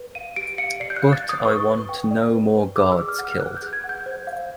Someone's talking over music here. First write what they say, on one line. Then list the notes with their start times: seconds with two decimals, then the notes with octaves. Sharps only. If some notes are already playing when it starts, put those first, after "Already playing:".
But I want no more guards killed.
Already playing: B4
0.15 F5 D#7
0.36 G4 D7
0.58 F5 C#7
0.80 D5 C7
0.90 G6
0.96 F#6
1.02 F5
1.13 A6
1.23 D5
1.29 D#6
1.45 B4 C#6
1.67 B4
1.89 G5
2.11 D5
2.33 B4
2.54 B4
2.76 G#4 D6
2.92 E6
2.97 D5
3.08 F6
3.19 F#5
3.25 F6
3.41 B4 F#6
3.57 G6
3.62 G#4
3.73 G#6
3.84 F#5
3.89 G6
4.06 C5
4.27 F5